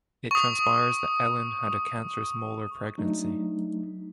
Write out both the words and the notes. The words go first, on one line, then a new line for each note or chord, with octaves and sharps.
It transpires that Ellen had a cancerous molar pregnancy.
C#6 D#6
F#3 A3 D4 D#4